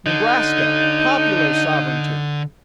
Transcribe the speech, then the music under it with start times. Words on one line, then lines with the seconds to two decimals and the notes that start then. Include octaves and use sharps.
Nebraska--Popular Sovereignty.
0.06 D3 D#4